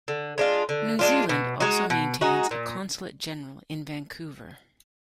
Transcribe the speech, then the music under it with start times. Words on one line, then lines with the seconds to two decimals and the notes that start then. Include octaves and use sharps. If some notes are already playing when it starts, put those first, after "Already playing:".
New Zealand also maintains a consulate-general in Vancouver.
0.08 D3
0.38 G#3 D4 F4
0.69 D3
0.99 G#3 D4 F4
1.29 B2
1.60 G#3 D#4 F#4
1.90 B2
2.21 G#3 D#4 F#4
2.51 A#2